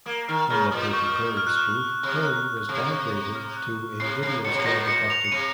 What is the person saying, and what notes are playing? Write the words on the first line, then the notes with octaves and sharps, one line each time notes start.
In the "Dirty Harry" spoof, Harry was downgraded to a video store detective.
A#3 D#6
D#3 F6
C#3 F6
A#2 D#6
C#6
F6
D#6
F6
F#6
F6
C3
F#6
F#6
C3 F6
C#6
C#6
F6
F#6
C3 C7
C3 C7
A#2 C#7
C3
A#2 A#6
C#7
F7
C#7
C3 D#7